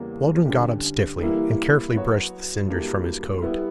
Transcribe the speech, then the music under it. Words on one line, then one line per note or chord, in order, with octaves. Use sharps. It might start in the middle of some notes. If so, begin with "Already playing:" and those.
Waldron got up stiffly and carefully brushed the cinders from his coat.
Already playing: E2 C#3 G3 A#3 C#4
D3 G3 C#4 G4
E3 G3 A#3 E4
F#3 B3 F#4 C#5
G2 F#3 A#3 E4 G4
G3 B3 E4